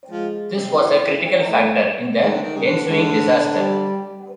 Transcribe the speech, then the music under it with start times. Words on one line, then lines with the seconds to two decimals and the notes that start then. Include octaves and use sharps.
This was a critical factor in the ensuing disaster.
0.10 F3 G#3
0.57 C3
0.75 D#3
0.80 E3
1.50 A3
2.19 D#3 G#3
2.34 D3
2.42 D#3
2.53 C#3 G3
2.66 D3
2.88 D3 G#3
3.58 G3